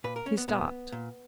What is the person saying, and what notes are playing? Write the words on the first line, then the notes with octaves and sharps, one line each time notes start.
He stopped.
A#2 B4
A#4
C#4
B3
A#2 B3
A#2